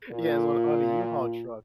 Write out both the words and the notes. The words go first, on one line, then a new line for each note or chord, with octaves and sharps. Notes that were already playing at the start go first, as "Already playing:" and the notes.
Yes, on on a U-Haul truck,
A#2 F4